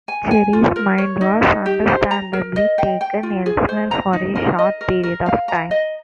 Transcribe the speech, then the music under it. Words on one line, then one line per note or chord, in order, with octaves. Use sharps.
Jerry's mind was understandably taken elsewhere for a short period of time.
G#5
G#5
F4
A#4
C#5
D#4
D#4
G4
C5
A#5
A#4
D#5
G5
G5
F4
G#4
C5
A#5
D#4
A#4
D#5
A#4
A#4
F5
A#5
D#5